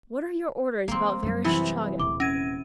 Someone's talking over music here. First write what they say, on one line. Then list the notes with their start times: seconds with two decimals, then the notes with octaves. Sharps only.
What are your orders about Vereshchagin?
0.88 C#3 E3 A#3 C4
1.23 F#2 G3
1.44 C3 E3 B3 E4
2.00 D#1 D6
2.20 C#4 G#6 A#6 D#7